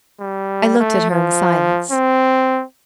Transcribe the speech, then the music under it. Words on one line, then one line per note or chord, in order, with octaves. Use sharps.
I looked at her in silence.
G3
A3
F3
C4